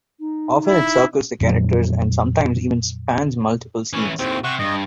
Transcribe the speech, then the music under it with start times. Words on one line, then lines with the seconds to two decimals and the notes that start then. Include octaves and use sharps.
Often it circles the characters, and sometimes even spans multiple scenes.
0.20 D#4
0.67 E4
1.41 F2 A#2 F#3
3.94 E3 C#4
4.19 D#2 A2 C4
4.44 C3 F#5 C#6
4.59 G2 D#5